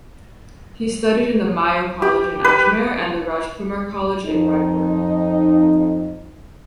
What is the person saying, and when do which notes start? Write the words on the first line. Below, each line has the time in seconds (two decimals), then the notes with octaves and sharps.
He studied in the Mayo College in Ajmer and the Rajkumar College in Raipur.
2.02 G4
2.44 B4
4.26 F2 D#4